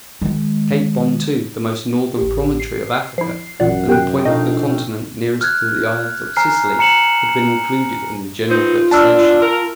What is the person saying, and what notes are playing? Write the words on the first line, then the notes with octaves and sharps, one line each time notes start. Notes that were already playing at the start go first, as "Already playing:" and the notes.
Cape Bon, too, the most northern promontory of Africa and the point of the continent nearest to the island of Sicily, had been included in the general devastation.
D#3 G#3
A1 G4
C7
F3 E4 C7
A1 F#2 A#2 D5 F#5
C3 D#3 G5 F#6
A#1 B2 A3 D#4 D#5 F5
F6 F#6 G#6
G#5 A#5 F6 C7
A#5 C#7 E7 F#7
B3 C4 D#4 F4
D4 A5 E6 F6
A#4